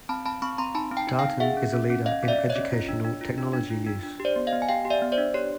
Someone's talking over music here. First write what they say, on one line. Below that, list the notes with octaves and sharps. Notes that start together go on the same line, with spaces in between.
Darton is a leader in educational technology use.
C4 A5 B5
C4 A5 B5
C4 B5 C#6
C4 A#5 C6
D#4 A5 B5
C4
G5 A5
D#4
F5 G5
C4
G#4 E5 F#5
C#4
C#4
C#4
C#4 D#5 F5
C#4
D5 E5
C#4
C#5 D#5
C#4
F4
D4
D4
F4
D4
D4
F4
D4
D4
G4
C5 D5
B3
D#5 F5
B3
G#5
G4 F5 G5
G4
D5 E5
B3
C5 D5
D4
G4 C#5